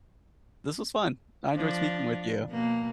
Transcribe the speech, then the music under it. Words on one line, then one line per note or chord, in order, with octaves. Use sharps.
this was fun. I enjoyed speaking with you.
F3 D4
B2 A#3